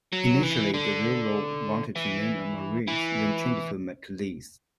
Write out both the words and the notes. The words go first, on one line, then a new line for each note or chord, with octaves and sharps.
Initially, the railroad wanted to name it Morris, then changed to McLis.
F#3
E3
D3
E3
E3